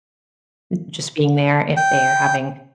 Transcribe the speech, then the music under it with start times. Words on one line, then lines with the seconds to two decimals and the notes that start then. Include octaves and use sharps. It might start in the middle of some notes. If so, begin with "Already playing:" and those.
n just being there if they're having,
1.77 G5